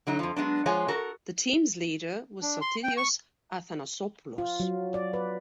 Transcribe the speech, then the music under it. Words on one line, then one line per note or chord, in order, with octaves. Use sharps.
The team's leader was Sotirios Athanasopoulos.
D3 F#3 D#4
F2 F3
F#3 G#3 B3 D4
F3 G#3 C#5 F#5 G#5
F#4 A4 A#4
D4
C6
G5
C#6
F4
F#3
D5
B4